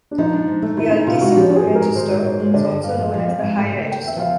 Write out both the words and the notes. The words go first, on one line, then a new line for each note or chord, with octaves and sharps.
The altissimo register is also known as the "high register".
D4
F3 D#4
D4
G#2
A3
D#3 E4
C#4 D#4
C3 F4
G#3 F#4
F3 G4
C4
G#4
G#2
A#4
G#3
D#3 C5
G#2
G#2 C#5
G#3
D3 D5
G2
G2 F5
F3
F3 F5
C4
G#2
A3
C#3
A#3 G5
E2
E5
F3 F5